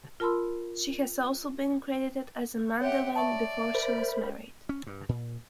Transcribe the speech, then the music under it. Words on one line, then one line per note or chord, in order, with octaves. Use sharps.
She has also been credited as Amanda Winn, before she was married.
F4 A#4 A5 B5 C6 E6
G4 C#5 E5 F#5
D5 E5 A5 C#6
A#4 C5 B5
C#4
G2
A#2